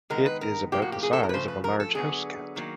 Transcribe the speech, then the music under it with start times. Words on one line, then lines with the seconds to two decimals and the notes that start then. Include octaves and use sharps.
It is about the size of a large housecat.
0.10 D#3 G#3 B3 A#4
0.26 B4
0.41 A#4
0.72 A2 F3 A#3 G4
0.82 F#4
0.92 G4
1.03 G#4
1.13 A4
1.23 A#4
1.29 B4
1.33 C#3 F3 A3 C5
1.48 B4
1.64 A#4
1.80 A4
1.95 D3 F#3 B3 G#4
2.56 D#3 F#3 A#3